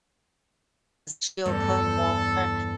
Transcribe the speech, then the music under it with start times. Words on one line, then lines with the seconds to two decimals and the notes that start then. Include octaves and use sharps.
she'll put more
1.46 E2 G2 C4 A4